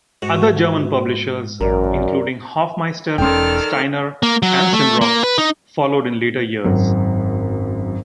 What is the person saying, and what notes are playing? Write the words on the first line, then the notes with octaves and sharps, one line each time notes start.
Other German publishers, including Hoffmeister, Steiner and Simrock, followed in later years.
G#2 F#4
A1 F#2 A#4 D5
E1 D#3 C#4 A4 D5 G5 C6 F6
A#3
F#3
A3
A#3
B4
D#4
G#1 F#2